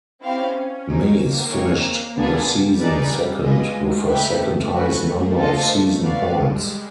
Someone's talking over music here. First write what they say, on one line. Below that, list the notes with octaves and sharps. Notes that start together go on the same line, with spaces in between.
Maze finished the season second, with her second-highest number of season points.
C4 C#4 E4 G4 C5 F5
D#4 G#4 C5
A#3
C4 D#4 G#4 C#5
B3 D4 F4 G#4
G3
G3 D#4 G#4 B4 D5
G3
G#3 F4 G#4 B4 D#5 G#5
A3
D#4 G4 B4 E5 G5
A3 C#4 F#4 B4
A#3
A3 D4 F4 A4 C5 D#5
G#3 F#4 B4 D5 F5
G3